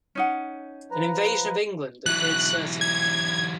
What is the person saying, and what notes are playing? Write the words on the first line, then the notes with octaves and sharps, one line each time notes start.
An invasion of England appeared certain.
C#4 D#4 F#5
F3 B4 A#5
E3 F#3 F#6
G#6